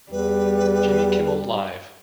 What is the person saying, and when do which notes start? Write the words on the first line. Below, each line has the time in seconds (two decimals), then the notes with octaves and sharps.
Jimmy Kimmel Live!
0.12 E2 G3 B4